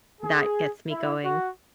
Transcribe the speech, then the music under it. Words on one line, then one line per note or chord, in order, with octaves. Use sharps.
that gets me going.
G#4
E4
F#4